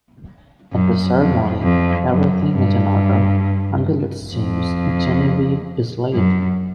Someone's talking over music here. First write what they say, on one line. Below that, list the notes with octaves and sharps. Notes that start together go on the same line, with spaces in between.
At the ceremony, everything is in order, until it seems Genevieve is late.
F#2
F2
F2
F#2
G2
F2
F#2